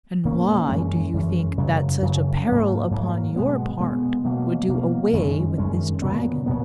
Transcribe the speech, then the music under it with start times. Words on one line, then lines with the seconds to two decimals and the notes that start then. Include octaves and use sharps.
"And why do you think that such a peril upon your part would do away with this Dragon?"
0.25 A#2 A#3 C#4
0.69 F#2 E3 G#3 C#4
1.13 F#2 E3 G#3 C#4
1.58 F#2 C#3 F#3
2.02 F#2 C#3 F#3
2.47 G#2 F#3 A#3
2.91 G#2 F#3 A#3
3.36 B2 G#3 B3
3.80 B2 G#3 B3
4.24 B2 F#3 A#3
4.68 B2 F#3 A#3
5.13 F#2 D#3 G#3 C#4
5.58 F#2 D#3 G#3 C#4
6.02 A#2 F#3 B3
6.46 A#2 F#3 B3